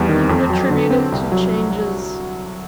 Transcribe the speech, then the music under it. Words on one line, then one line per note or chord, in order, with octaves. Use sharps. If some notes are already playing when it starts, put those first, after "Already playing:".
"He would attribute it to changes . . ."
Already playing: E2 G3
D#3
F2
F#3
D3
C4
C2
F#3